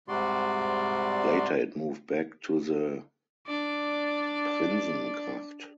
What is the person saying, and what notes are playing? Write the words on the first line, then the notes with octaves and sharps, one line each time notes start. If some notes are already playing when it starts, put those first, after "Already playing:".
Later it moved back to the Prinsengracht.
G#2 C3 G3 F#4 D5 C6
D4 D5